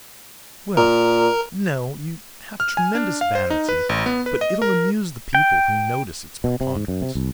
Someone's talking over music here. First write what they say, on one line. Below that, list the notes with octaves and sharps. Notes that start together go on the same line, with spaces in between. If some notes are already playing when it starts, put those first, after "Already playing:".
"Well--no, you have tremendous vanity, but it'll amuse the people who notice its preponderance."
A#2 A#4
F6
G#5
D4
F5
C5
D#4
B4
A1
B3
B4
D#5
A#4
G5
B2
C3
G#2
F#2
C3
C2